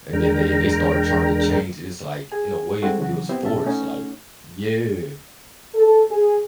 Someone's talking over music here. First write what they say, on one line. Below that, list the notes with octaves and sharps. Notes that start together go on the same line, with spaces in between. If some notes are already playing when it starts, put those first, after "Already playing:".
and then they they start tryna change it, it's like, in a way, it feels forced, like yeah.
E2 G#3 D4 A#4 G5 A#5
G#4 G#5
G3 G#3 C4 E4 F#4 A4
C#3 E3 F#3 F#4
B3 C4 E4 G4 C5
B2 C#4 E5 A5
A3 C#4 D#4 F#4
A4
G#4